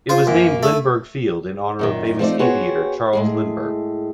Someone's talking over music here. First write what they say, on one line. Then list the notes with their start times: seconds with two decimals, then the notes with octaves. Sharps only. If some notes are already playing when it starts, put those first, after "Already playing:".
It was named Lindbergh Field in honor of famous aviator Charles Lindbergh.
0.09 F4 C5
0.27 F#2 A#3
0.63 A3
1.79 F#2 A#2 D#3
2.19 F3 A3 C4 D#4 C5 D5
2.39 B3 F#4 G#4 C5 C#5 G5
3.13 A2 G#3 G#4